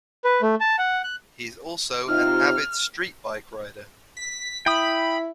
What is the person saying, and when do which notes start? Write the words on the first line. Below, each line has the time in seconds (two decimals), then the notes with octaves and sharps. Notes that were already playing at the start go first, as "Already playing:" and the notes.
He is also an avid street bike rider.
0.25 B4
0.42 A3
0.60 A5
0.79 F#5
1.04 F#6
2.08 C3 D#4 F4 F6
4.17 B6
4.66 E4 G5 B5 D#6